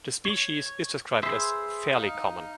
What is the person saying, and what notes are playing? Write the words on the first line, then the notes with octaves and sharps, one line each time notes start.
The species is described as "fairly common".
C#5
G#4 B4 C5 E5 C6
D#4 F5